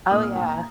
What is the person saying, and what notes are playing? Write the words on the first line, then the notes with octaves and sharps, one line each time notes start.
Oh, yeah.
A#2 D#6
F6
A#2 G5
A#5